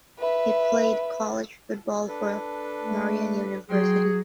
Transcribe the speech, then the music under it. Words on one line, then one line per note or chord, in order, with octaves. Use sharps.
He played college football for Marian University.
B4 E5
D4 A4 B4
A3
F#3 G#4 G5 C6